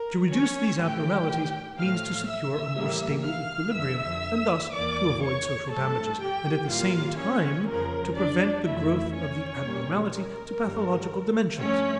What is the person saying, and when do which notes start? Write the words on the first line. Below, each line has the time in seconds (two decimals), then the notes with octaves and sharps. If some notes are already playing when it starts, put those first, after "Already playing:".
To reduce these abnormalities means to secure a more stable equilibrium and thus to avoid social damages, and at the same time to prevent the growth of the abnormality to pathological dimensions.
Already playing: A#4
0.32 C#4 C#5
0.81 A2 E3 A3 G4 G5
1.79 A2 F3 A3 F5 F6
2.28 E5 E6
2.77 A2 E3 G3 A#3
3.26 F5 F6
3.75 F2 D3 F3 E5 E6
4.73 E2 E3 A#3 D5 D6
5.22 C#5 C#6
5.71 G2 F3 A3 A4 A5
6.20 G4 G5
6.69 A2 G3 A#3 F4 F5
7.18 C#4 C#5
7.67 F2 C#3 F3 A#4
8.16 D4 D5
8.65 F2 E3 A3 E4 E5
9.15 C#4 C#5
9.63 A#2 G3 A#3
10.12 A#4
10.62 G2 D3 G3
11.59 G2 F3 A3 C#4 C#5